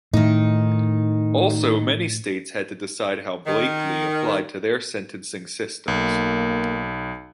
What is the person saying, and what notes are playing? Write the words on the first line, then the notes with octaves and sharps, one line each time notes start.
Also, many states had to decide how "Blakely" applied to their sentencing systems.
A2 D#3 D#4
D#3
B1 A#3